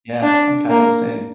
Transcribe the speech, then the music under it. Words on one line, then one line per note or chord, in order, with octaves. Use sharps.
yeah. I'm kinda the same.
D4
A#3